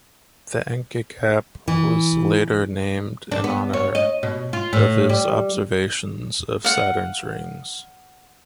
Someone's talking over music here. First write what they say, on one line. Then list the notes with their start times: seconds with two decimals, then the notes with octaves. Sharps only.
The Encke Gap was later named in honour of his observations of Saturn's rings.
1.68 E3
3.31 D4
3.44 B3
3.73 C#5
3.95 D#5
4.23 B2
4.53 F4
4.73 A2
5.09 G3
6.64 F5 F#5